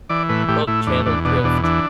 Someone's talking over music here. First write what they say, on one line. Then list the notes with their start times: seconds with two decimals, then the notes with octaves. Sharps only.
it's called Channel drift.
0.09 E3 D5
0.29 A2 B4
0.48 A2 G4
0.67 A2 E4
0.87 E2 D4
1.06 E2 D4
1.25 B2 D4
1.44 E2 D4
1.63 E3 D4